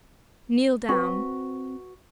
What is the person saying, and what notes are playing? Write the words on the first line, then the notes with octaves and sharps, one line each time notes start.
"Kneel down."
C4 F#4 B4 C#6